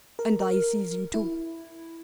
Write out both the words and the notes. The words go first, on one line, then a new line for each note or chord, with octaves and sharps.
And I sees you too.
A#4
A#4
E4